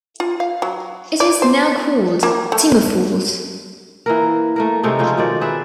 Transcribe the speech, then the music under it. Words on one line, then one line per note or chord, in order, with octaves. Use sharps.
It is now called Timber Falls.
F4
F5
F#3
D5
C5
A#3
A3
E3 A#3 A#4
A3 A#3 A#4
C3 G#3 A3 D#4
C#3 F3 C#4 F4
B2 D#3 D5
G#4 B4 D5 E5